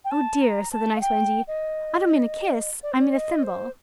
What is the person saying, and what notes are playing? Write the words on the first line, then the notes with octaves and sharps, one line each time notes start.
"Oh dear," said the nice Wendy, "I don't mean a kiss, I mean a thimble."
G5
A5
A#5
A5
F5
G5
D#5
D5
C5
D5
D#5
C5